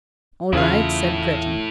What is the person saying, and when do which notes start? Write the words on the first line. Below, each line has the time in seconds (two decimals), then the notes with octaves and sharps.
"All right," said Breton.
0.53 E2 C#3 E4 F4 A4